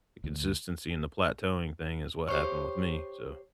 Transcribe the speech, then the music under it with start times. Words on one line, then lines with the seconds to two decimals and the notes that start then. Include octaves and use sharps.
the consistency and the plateauing thing is what happened with me, so.
0.24 D2
2.28 G4 C5 C#5